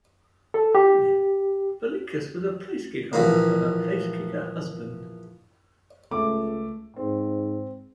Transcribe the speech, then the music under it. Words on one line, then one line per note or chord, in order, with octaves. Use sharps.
Palinkas was a placekick holder for her placekicker husband.
A4
G4
A#1 E3 A#3
C#2 A3 D6
G#2 C4